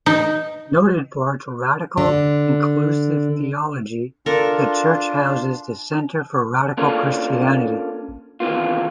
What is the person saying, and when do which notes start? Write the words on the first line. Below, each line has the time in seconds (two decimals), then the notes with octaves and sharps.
Noted for its radical, inclusive theology, the church houses the Centre for Radical Christianity.
0.06 D#4
1.97 D3
4.26 D4 F4 A4 A#4
6.77 A#3 C#4 D4 F4 A4 A#4
8.40 C3 D#3 E3 A#3 B3 F4